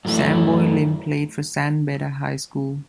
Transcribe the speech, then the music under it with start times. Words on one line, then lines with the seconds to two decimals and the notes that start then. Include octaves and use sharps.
Samboy Lim played for San Beda High School.
0.05 F#2 E3 A3 E4